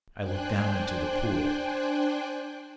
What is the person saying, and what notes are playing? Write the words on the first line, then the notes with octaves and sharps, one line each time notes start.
I looked down into the pool.
D4 C5 G5 G#5 F#6